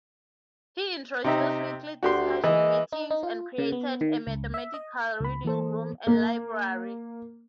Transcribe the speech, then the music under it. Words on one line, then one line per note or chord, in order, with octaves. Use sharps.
He introduced weekly discussion meetings, and created a mathematical reading room and library.
C3 D#4 E5
D2 F#4 G4 C6
E3 G#3 D#5
D#4
D#4
F4
C#3
B3
D#3
C#2
E5
D#5
C#2 B5
E3 A#3 A4 C5
A#3